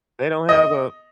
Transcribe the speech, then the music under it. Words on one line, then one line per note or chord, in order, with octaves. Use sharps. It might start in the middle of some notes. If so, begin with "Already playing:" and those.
They don't have a
D#5